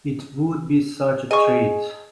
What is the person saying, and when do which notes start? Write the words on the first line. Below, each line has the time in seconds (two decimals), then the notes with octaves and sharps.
It would be such a treat!
1.31 G#4 D#5 C#6